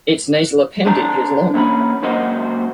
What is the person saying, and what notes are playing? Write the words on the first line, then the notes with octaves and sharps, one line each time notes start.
Its nasal appendage is long.
C4 D4 A4 D5 A5 A#5
E3 A#3 C#4 E5 B5
C#2 F#2 A#3 F#4 C5 D#5